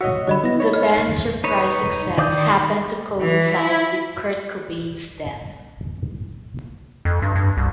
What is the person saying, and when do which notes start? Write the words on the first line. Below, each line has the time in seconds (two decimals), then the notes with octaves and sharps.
The band's surprise success happened to coincide with Kurt Cobain's death.
0.01 F#4 C#5 D#5 F#5 E6 C#7
0.27 D3 F#3 G3 C#5 D#5 B5
0.44 B3 E4 D#5 A#6
0.58 D#4 C#5 B5
0.73 D#5 F6
1.44 D#4 B4 C#5
2.18 D#3 D5 D6 D#6 G6
3.20 E3
3.55 E4
7.05 F2
7.22 G2
7.36 G2
7.57 C2